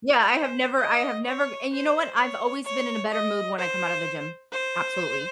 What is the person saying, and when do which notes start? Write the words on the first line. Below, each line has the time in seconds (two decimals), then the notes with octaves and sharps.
Yeah, I have never I have never and you know what, I've always been in a better mood when I come out of the gym, absolutely.
0.32 C5
0.79 D#5
1.26 C#5
1.72 C5
2.18 C#5
2.65 C#5
3.12 D#5
3.58 C5
4.52 C5